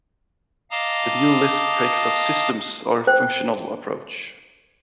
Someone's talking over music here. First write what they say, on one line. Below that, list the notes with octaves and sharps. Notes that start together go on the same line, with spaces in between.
The new list takes a "systems" or functional approach.
D#5 F5 A5 A#5 D6 D#6
C5 G5